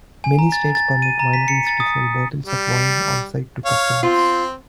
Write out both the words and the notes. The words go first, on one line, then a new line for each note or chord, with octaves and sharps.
Many states permit wineries to sell bottles of wine on-site to customers.
G#5
A#5
A6
A6
D#7
A#5
B6
C#7
A6
D#6
G3
C#5 F5
C4 F4